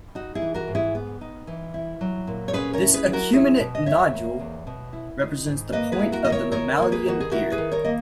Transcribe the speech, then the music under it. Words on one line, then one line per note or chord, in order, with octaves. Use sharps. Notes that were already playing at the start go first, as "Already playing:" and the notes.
This acuminate nodule represents the point of the mammalian ear.
D#4 F#4
E4 G#4
E3
F#4 A#4
G#2
E4 G#4
B3
D#4
E3
E4
F#3
A#2
C#5
C#4 G#4 B4
A#4 C#5
E4
G#4 B4
F#3
F#4 A#4
E2 E4 G#4
B2
D#5
E2 C#5 E5
A#3
E2
B2
E4
D#3
G#2
A#3 B4 D#5
G#4 B4
E4
F#4 A#4
D#3 D#5
A#4 C#5
D#3 A#4 C#5
A#3 C#5
G#4 B4
D#3 F#4
G#4
E4 F#4 A#4
G#4 B4
D#3
A#4 C#5
A#3 D#5